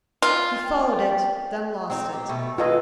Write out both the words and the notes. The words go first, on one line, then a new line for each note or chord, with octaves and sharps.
He followed it, then lost it.
F4
G5
C4 D#4
G4
B2 A3
D#3 G#3 F4 A4 B4 D#5